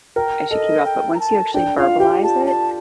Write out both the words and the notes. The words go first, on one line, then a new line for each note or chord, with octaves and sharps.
I should keep it up, but once you actually verbalize it,
A#4 G5
A4 D#5
G5
A#5
A5
D4 G5
F4 F5
G4 G5
A5
A5